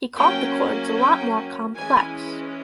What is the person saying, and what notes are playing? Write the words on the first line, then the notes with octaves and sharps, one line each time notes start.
He called the chords a lot more complex.
F#3 A#3 C#4 G5
G5
E3 G#3 C#4 G#5